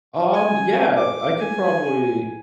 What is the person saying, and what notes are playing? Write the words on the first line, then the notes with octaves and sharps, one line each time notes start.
Um, yeah, I could probably
G#5
D6
G#5